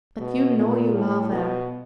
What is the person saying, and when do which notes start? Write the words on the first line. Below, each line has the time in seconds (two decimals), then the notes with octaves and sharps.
"But you know you love her."
0.20 B2
0.58 A#2
0.95 A2
1.32 B2